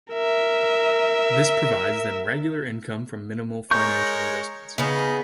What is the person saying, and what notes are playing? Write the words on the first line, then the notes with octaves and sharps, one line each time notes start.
This provides them regular income from minimal financial investments.
A#4 E5
G#3 A#4 C#5 C#6 G6
C#3 B3 D#4